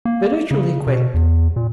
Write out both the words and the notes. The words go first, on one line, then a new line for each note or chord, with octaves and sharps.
Spiritually quick.
A#3
C#3
B2
E2
A#2